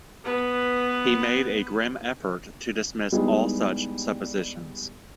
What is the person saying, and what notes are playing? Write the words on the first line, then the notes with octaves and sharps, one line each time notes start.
He made a grim effort to dismiss all such suppositions.
B3 B4
G3 G#3 B3 D#4 E4 G#4